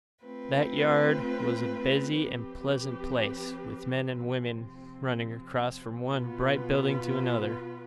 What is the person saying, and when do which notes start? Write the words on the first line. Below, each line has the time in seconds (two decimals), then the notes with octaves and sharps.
That yard was a busy and pleasant place, with men and women running across from one bright building to another.
0.24 A3 C4 F4 B4
2.20 F3 C4 G4 B4
4.15 C3 F3 C4
6.11 B2 B3 F4 B4